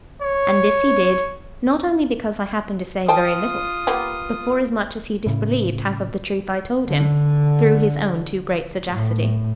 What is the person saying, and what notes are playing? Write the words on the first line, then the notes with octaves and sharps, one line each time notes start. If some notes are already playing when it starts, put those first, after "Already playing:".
And this he did, not only because I happened to say very little, but forasmuch as he disbelieved half of the truth I told him, through his own too great sagacity.
C#5
F4 C5 G5 A5 D#6
A#3 B3 G4
A2 C#3
D3
A2